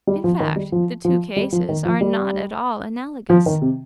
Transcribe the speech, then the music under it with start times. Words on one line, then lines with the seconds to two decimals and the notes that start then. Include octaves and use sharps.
In fact, the two cases are not at all analogous.
0.07 G3
0.24 F3
0.40 D#3
0.56 G3
0.72 F3
1.05 F3
1.36 G3
1.53 F3
1.69 D#3
1.85 F3
2.01 G3
3.30 F3
3.46 D#3
3.62 C3